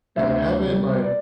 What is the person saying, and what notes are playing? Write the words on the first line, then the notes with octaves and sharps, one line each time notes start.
and I haven't, like,
D2 E5
C3 G3
D5